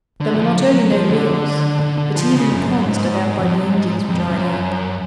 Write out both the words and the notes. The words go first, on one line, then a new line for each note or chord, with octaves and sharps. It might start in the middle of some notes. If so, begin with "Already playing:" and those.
There were not only no RIOS, but even the ponds dug out by the Indians were dried up.
D3
F#3
F3
F#3
F#3
F#3
F3
D3
D3
D3
F3
C#3
F#2
F#2
G#2
F2
F#2
G#2
F2
F#2